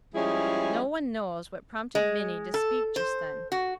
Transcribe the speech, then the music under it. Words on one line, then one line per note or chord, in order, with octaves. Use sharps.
No one knows what prompted Minnie to speak just then.
F3 G3 G#3 C#4 E4 G#4
G#3
A4
C5
F#4